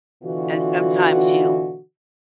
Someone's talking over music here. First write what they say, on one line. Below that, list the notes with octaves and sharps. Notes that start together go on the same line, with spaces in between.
and sometimes you
B2 D3 E3 F4 F#4